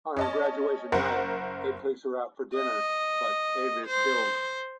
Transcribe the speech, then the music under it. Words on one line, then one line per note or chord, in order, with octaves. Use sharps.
On her graduation night Abe takes her out for dinner, but Abe is killed.
C#4 D#5 A5
F#1 A#4 C5 F#5
D#5
C5